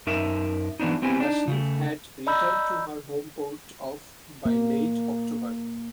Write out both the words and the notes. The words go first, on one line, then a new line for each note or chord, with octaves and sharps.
The ship had returned to her home port of by late October.
F#2 D#4 A#4 E5
E3 F#3 B3 D4 D#4
B3 C4 E4 G4 G#5
D4 D#4
C#3 A3
D5 D#5 A#5 B5 E6 G6
A#3